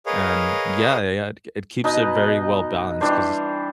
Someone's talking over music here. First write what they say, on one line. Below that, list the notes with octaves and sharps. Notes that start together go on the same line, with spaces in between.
and yeah, yeah, yeah, it t k it keeps it very well-balanced, 'cause
G#4 A#4 B4 C#5 D#5 F5
B2 D#4 B4 D#5
E3 G3 D4 C5